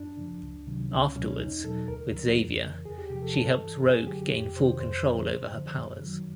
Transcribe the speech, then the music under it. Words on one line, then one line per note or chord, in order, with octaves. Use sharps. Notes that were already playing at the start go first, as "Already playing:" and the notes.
Afterwards, with Xavier, she helps Rogue gain full control over her powers.
Already playing: F#2 D4
C#3 F3
C#2
C3 D#3 F#3
C#2 C#4
C#4
B2 F#3
C#4
E2 D#4
B2 F#3 A4
D2 A#4
C#3 F3
F2
C#3 E3
E2 G#4
G4
C3 F3 G4
A4
G2 A4
E3
F#2 G#4
D3 F#3 G4
F2 G4
C3 D#3 C5
F2 C5
D3 F3
F#2
D3 F3
F#2
D#3 F#3